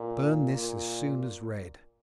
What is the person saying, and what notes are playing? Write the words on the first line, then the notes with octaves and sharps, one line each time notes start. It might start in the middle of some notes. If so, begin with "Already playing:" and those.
Burn this as soon as read.
Already playing: A#2
A#2